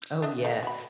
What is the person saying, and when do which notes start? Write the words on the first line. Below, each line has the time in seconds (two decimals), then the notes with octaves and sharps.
Oh, yes.
0.22 D4 D#5 E5
0.45 A3 A#3
0.63 F#4 B5